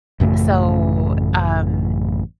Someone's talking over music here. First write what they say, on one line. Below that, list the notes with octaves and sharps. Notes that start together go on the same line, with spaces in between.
So, um
A1 F#2 C#3 A3